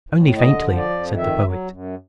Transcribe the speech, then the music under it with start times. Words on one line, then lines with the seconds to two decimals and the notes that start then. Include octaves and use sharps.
"Only faintly," said the Poet.
0.10 A2
0.37 D3 D#5
0.63 F3
0.77 D5
0.89 F2
1.16 D#3 E5
1.43 F#3
1.70 F#2